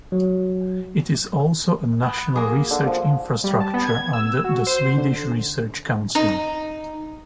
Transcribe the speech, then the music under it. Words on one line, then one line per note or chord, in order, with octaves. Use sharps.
It is also a national research infrastructure under the Swedish Research Council.
F#3
B3
A#3 G#4
D3
F3
G3
A5
B3
G#6
E6
F#4
C5
D3
D#4